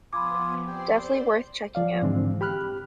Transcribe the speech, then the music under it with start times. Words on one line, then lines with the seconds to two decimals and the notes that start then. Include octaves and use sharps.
Definitely worth checking out.
0.13 F3 B3 F4 G#5 B5 D6 D#6
0.67 C4 G4 C5 D5 C6
1.75 F3 D5 F5
2.02 G#2 D3 E3 G#3 C4 D4
2.41 G4 B5 F6 F#6